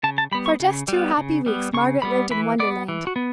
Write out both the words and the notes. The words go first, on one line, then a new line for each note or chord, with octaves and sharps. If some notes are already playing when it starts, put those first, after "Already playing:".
For just two happy weeks Margaret lived in Wonderland.
C#3 A5
A5
G3 B3 B5
C#6
C#3
G3 B3
C#3
G3 B3
C#3 C#6
G3 B3 B5
E3 B5
B3 D5
E3
F#4
B3